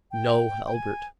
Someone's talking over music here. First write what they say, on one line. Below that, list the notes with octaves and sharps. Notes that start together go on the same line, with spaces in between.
No, Halbert!
G5
G5
G#5